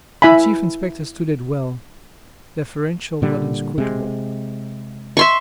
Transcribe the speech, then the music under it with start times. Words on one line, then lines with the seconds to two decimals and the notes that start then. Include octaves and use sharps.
The Chief Inspector stood it well, deferential but inscrutable.
0.22 E4 E5 G#5 B5
3.22 A#2 D3 G3
3.78 C3 G#3
5.17 E5 C6 C#6